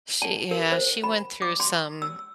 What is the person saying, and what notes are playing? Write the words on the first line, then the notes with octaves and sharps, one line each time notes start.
she, yeah, she went through some,
A5
A#4
C5
B5
D6
C6
E6